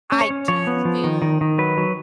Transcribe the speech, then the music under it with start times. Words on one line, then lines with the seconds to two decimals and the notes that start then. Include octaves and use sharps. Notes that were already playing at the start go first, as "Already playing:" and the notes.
I do feel
0.12 C#4
0.21 C#5
0.30 C#4
0.48 F3 C#5
0.67 B3
0.85 F3
1.04 D#3
1.22 D#3
1.41 D#3
1.58 F#3 B4
1.77 F#3